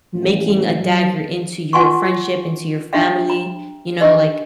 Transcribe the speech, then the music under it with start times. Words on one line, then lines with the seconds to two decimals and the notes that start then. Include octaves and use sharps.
making a dagger into your friendship, into your family, you know, like
0.15 A1
0.80 F#3
1.73 F4 F#4 F#5 G#5 C6 C#6
2.93 D4 G4 E5 G5
3.30 A#5
4.01 D4 G4 D#5